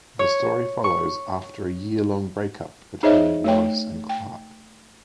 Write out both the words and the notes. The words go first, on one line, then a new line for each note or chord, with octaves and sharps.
The story follows after a yearlong breakup between Lois and Clark.
C#5
C#6
D#4 G#4 C5 C#5 D#5 E5
A3 C#5 G5
G5